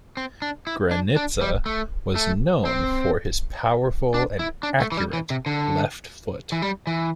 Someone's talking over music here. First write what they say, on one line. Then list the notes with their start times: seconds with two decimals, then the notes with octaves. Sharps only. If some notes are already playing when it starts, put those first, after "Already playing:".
Granitza was known for his powerful and accurate left foot.
0.17 C4
0.42 D4
0.67 E4
0.91 D4
1.16 D4
1.41 G3
1.66 A3
2.15 A3
2.65 C4
4.14 D4
4.39 E4
4.63 D4
4.80 A3
4.92 E3
4.97 G3
5.13 E3
5.30 C3
5.46 D3
6.52 E3
6.62 G3
6.87 E3